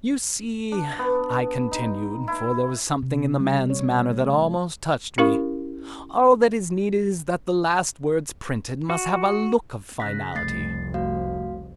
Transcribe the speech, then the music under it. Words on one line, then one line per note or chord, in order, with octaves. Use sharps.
You see," I continued, for there was something in the man's manner that almost touched me, "all that is needed is that the last words printed must have a look of finality.
D4
B3
D#4
E4
C3
G3
C#5
A3
C#4 E4 G4 A#4 F5 C#6
F#4
C#3 F#6 A#6 B6
F1 C2 A3 A6 C7
A3 F#4 F5